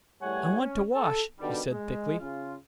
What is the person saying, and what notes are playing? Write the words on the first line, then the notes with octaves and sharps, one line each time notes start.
"I want to wash," he said, thickly.
E2 A2 G3 C#5 F#5 G#5
C#4
A4
B2 D3 D#3 G3
G#3
C#3 F4